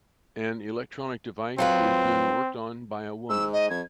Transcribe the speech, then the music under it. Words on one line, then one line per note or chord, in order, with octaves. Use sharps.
An electronic device is being worked on by a woman.
F#3 C4 F4 B4
G#2 E6
D#5
F2 G#6